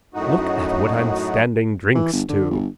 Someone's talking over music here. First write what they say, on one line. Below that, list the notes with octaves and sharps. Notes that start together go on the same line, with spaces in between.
Look at what I'm standing drinks to!
F#2 A2 D#4 F#4
E3
G1
D3
G1